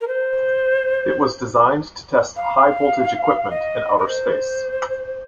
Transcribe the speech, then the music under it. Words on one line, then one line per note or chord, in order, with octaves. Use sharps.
It was designed to test high-voltage equipment in outer space.
A#4
C5
F5
D#5
A#4
C5